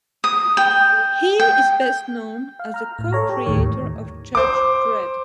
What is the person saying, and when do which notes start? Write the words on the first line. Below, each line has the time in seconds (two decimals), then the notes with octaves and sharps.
He is best known as the co-creator of "Judge Dredd".
0.24 D#6
0.57 G5
1.40 G5
2.59 F5
2.74 A#5 F6
2.99 A2
3.13 A4 C#5 A#5
3.29 G4
3.46 D#2 A2 D#3 C#5
4.35 C5 D6